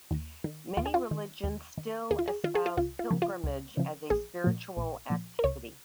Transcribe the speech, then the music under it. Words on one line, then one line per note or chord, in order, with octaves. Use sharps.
Many religions still espouse pilgrimage as a spiritual activity.
D#2
D#3
D#2 F4
G#4
F4
D#3
D#2
D#3
D#2 G#4
F4
G#4
D#3 F4
G#4
F4
C#2 F4
F4
C#3 F3
F4
C#2
C#3 F3
A#1 G#4
A#2 F3
A#1
A#2 F3
A#4
C#2 C#5